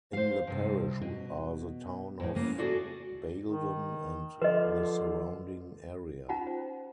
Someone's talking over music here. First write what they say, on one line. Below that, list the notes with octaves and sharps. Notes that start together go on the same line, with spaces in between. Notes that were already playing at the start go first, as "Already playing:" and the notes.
In the parish are the town of Baildon and the surrounding area.
C5 F5
G2 C3
B2
F2 A2
C#3 A#3 B3
F#4 G#4 A4 D5 E5
D#3
D3 F3 B4 D#5
C#4 D#4 F4 F#5 A#5 B5
C5